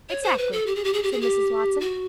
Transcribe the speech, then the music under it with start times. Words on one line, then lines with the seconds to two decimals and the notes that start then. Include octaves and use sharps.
"Exactly," said Mrs. Watson.
0.09 C#5
0.24 C5
0.38 B4
0.52 A4
0.66 G4
0.75 G#4
0.84 G4
0.93 G#4
1.03 G4
1.12 G#4
1.21 G4
1.80 F#4